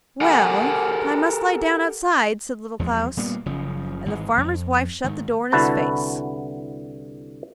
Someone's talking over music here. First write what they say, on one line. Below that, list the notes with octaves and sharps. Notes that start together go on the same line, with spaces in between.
'Well, I must lie down outside,' said Little Klaus; and the farmer's wife shut the door in his face.
G4 A4 A#4 F#5 G#5
E2 F3 G#3
A#2 G3 A#3 B3
F#1 C#3 F3
G#1 G#2 E3 G#3
F2
G#2 D#3
C2 D3 E4 F#4 B4 A5